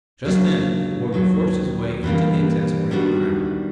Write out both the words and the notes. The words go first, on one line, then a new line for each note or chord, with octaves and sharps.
Just then a warrior forced his way into the exasperated crowd.
C#3 F#3 A#3 D4
D#2 D#3 F#3
G2 E3 G3 A#3
D#3 G3 B3 D4 F#4